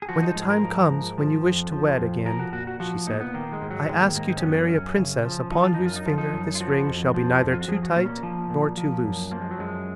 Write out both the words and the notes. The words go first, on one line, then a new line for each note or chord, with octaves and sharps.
"When the time comes when you wish to wed again," she said, "I ask you to marry a princess upon whose finger this ring shall be neither too tight nor too loose."
G#4
F3 F#4
D#4
G#2
G#4
A#4
F3
G#2
F3
F2
F3
F2
F3 A#4
F#4
A#2 F#4
F#4
F3 F#4
A#2 D#4
B3
D#3 A#3
G#3
G#2
F#3
D#3 G#3
A#3
G#2 A#3
D#4
C#4
F#2 B3
C#4
F#2
C#3
F3
F3 D#4
F4
F#2 D#4
F4
D#4
F3 F4
D#4
F#2
F4
F3 F#4
F2
F3
F2
F4
F#4
F3 G#4
F#4
A#2 C#4
B3
A#3
F3
A#2
F3
F#2
F3 A#3
G#3
F#3
F#2 G#3